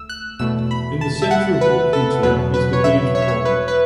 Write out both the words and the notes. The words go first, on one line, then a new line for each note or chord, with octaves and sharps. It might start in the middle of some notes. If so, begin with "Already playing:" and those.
In the centre of Walkington is the village pond.
Already playing: C#2 A3 E6
F#6
E2 B2 A3 E6
B5
A5
E5
F#5
B4
A4
E2 B2 F#3 B3 B4
B4
C#5
E5
C#5
E5
C#5
B4
B4